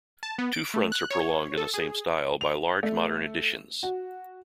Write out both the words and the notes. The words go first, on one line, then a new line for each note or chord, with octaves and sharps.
Two fronts are prolonged in the same style by large modern additions.
A5
B3
D7
A3
F#6
C#5
A4
G#4
F7
A3
F#4